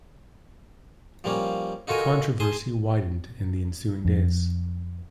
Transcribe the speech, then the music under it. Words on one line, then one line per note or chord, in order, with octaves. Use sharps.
The controversy widened in the ensuing days.
F3 G3 A#3 C#4
D#4 F4 F#4 A4 A#4 G#5
G#4 G#5 A5 C6 D#6
F2